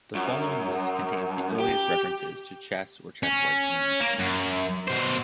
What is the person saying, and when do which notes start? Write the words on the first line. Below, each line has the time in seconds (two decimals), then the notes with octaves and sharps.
The following list contains the earliest references to chess or chess-like games.
0.15 F#2
1.60 G4
3.23 C#4
4.01 A#3
4.20 F#2
4.88 B2 C5